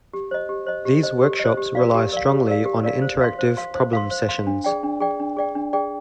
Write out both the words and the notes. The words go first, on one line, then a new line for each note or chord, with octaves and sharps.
These workshops rely strongly on interactive problem sessions.
G4
C5 D#5
G4
C5 D#5
G4
C5 D#5
G4
C5 D#5
G4
A#4 D5 F5
G4
A#4 D5 F5
G4
A#4 D5 F5
G4
A#4 D5 F5
C5
F5 C6
C5
F5 C6
C5
F5 C6
C5
F5 C6
D4
G#4 D5 G5
D4
G#4 D5 G5
D4
G#4 D5 G5
D4
G#4 D5 G5